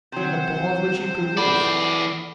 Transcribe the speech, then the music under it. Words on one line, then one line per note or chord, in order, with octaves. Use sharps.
And the balls which he produced!
C3 F#3 C5
E3 A4 D5 F#5 B5